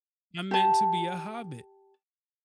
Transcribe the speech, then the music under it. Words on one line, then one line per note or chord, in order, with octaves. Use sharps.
I'm meant to be a hobbit."
G4 A5